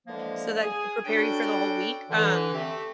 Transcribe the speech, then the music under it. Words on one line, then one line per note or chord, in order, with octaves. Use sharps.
So, that could prepare you for the whole week, um
D3 E3 F3 G#3 A#3
G#4 G#5
G3 C#4 D4 F#4 A4 G5
D3 E3
A3 C4 G4